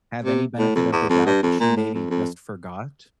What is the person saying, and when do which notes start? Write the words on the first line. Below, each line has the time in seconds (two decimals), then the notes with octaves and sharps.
have any benefit of the doubt that she maybe just forgot?
0.25 C3
0.59 A2
0.76 F2
0.92 E2
1.10 F2
1.26 G2
1.43 F2
1.60 A#2
1.77 A2
1.95 F2
2.10 F2